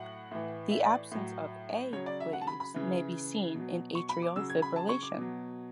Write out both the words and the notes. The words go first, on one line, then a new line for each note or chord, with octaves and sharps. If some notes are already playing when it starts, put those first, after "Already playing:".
The absence of 'a' waves may be seen in atrial fibrillation.
Already playing: A2 F#3 F#5
A2 E3
E5
D5
A2 F#3
C#3 F#3 C#5
D5
E5
F#5
A5
B5
B5
C#3 E3
B2 F#3
C#6
B5
D6
C#3 F#3 E6
G#6
B5
A5
C#6
D6
B2 F#3